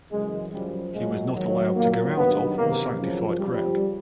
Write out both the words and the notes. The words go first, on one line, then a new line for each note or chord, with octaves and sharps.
He was not allowed to go out of the sanctified ground.
F#2 C#3 E3 G#3
F#2 C#3 F3 G3
A#2 F#3 G#3
G#2 D#3 F#3
A#2 F#3 A#3
G2 D#3 F#3 B3
E2 C3 D#3 A#3
F#2 C#3 F3
F2 C#3 F3 G3